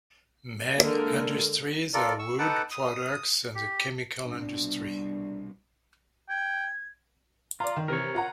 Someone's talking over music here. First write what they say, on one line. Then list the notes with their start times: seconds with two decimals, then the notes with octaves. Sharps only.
Main industries are wood products and the chemical industry.
0.75 D3 G#3 A#3 A#4
1.94 F4 A4 A#4 D5
2.19 C#6 E6
2.39 D#4 A4 B4 F#5 A5 D6
2.71 D#6
3.55 G4
4.26 C2 B2 D4
6.29 G5 G#6
7.60 F4 D5 A#5
7.76 D#3
7.88 C3 E3 A#4 C#5
8.15 F4 F#5 A#5